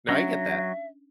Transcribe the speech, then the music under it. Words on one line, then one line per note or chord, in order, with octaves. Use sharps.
No I get that.
F#3 C#4 D4 E5